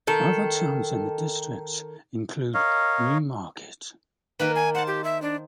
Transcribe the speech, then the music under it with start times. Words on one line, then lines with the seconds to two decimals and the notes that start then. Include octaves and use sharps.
Other towns in the district include Newmarket.
0.07 D#3 A4
2.54 A#4 C#5 D#5 F5
4.39 D#3 A#3 A#4 B4
4.55 G#5
4.75 C5 F#5 A5
4.87 G4
5.04 E5
5.22 D4